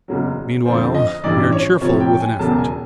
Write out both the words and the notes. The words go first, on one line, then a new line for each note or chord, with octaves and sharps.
Meanwhile we are cheerful with an effort.
F#1 E2 C#3 F#3
F2 D3 F3 C5
D#5
A1 G2 E3 G3 D5
C#5
F2 C3 F3 C#5
G5
G#5
E1 E2 C#3 F#3 A5
G#5